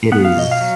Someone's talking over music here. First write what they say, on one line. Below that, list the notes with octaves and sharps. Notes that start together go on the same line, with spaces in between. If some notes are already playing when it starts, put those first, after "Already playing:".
It is.
B3 F#5
F5
B2 D#5
F5
F#3